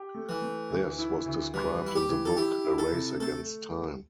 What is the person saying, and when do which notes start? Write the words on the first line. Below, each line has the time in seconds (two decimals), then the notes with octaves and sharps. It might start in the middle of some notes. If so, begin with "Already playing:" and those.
This was described in the book "A Race Against Time".
Already playing: G4
0.15 A3
0.29 E3
0.42 A3
0.70 D2
0.98 E4
1.26 D2
1.54 E3 G3
1.81 G3
1.87 E4
1.96 G4
2.09 E3
2.25 A4
2.37 E4 G4
2.65 E4
2.78 A4
2.92 C3
3.20 A3 A4